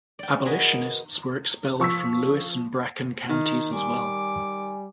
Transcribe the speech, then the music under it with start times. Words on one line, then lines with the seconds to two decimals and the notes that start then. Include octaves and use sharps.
Abolitionists were expelled from Lewis and Bracken counties as well.
0.19 D5 G5
0.45 F#4 G#4 A#4 B4 D#5
1.80 F3 C#6 E6 B6
3.29 D#3 D#4
3.73 G3 G#5 D6